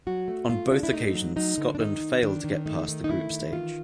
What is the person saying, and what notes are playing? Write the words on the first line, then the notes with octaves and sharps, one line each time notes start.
On both occasions Scotland failed to get past the group stage.
F#3 F#4
A3
A3 F4
D4
E4
A3 D#4
F#3
F#3 D#4
D3
D4
D#3 D#4
D#3
D#3 D4
D#3
A3 D#4
D#3
D#4
A3 E4
D#3
E3 F4